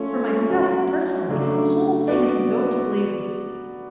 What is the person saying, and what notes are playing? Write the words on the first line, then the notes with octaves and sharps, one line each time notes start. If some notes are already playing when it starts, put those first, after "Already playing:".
For myself, personally, the whole thing can go to blazes.
Already playing: A3 C#4 F4
F#3 C#4 F#4
C#3 F#3 A3 D4
B3 F#4 B4 D5